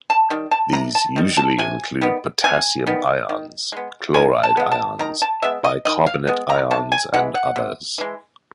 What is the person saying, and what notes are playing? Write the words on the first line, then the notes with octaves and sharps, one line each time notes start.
These usually include potassium ions, chloride ions, bicarbonate ions, and others.
A5
D#3 G3
A5
C3 A#5
A5
D#3 G3
A5
C3 G#5
D#3 G3 B3
C3 G#5
D#3 G3 B3
D#3
G#3 B3
D#3 G#5
A5
G#3 B3
A5
D#3 A#5
A5
G#3 B3 E5
D#5
D#3 D#5
F5
G#3 B3
A#5
C3 A5
G#5
E3 G#3 F#5
F#5
C3
E3 G#3